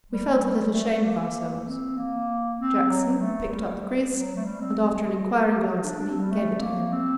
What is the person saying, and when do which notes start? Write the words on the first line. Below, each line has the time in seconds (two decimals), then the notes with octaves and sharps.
We felt a little ashamed of ourselves. Jackson picked up the kriss, and, after an inquiring glance at me, gave it to him.
0.12 G3
0.42 G3
0.73 A3
0.88 A3
1.04 A#3
1.66 C4
1.97 A#3
2.59 C4
2.89 F#3
3.21 A3
3.52 G3
4.14 F#3
4.36 A3
4.45 G3
4.60 C4
5.07 F#4
5.35 A#4
5.47 A4
5.58 G4
5.69 F#4
5.84 D4
5.99 D4
6.10 C4
6.20 G3
6.31 A3
6.58 C4
6.61 A#3
6.93 C4